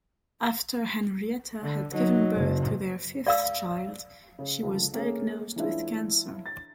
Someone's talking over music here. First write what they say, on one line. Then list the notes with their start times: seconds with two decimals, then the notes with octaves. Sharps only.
After Henrietta had given birth to their fifth child she was diagnosed with cancer.
1.62 D3
1.94 F#3 D#4
2.35 F#1
3.27 D5 F5 E6
4.39 C#3
4.62 C#2 D3 F3
4.93 A3 A#3 C#4 G#4
5.56 E3 G#3 C#4 D4 E4 F4
6.46 A6